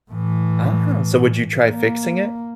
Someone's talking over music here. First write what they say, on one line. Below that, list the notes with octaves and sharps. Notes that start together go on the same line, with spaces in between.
Oh, so would you try fixing it?
A2 E3
A#3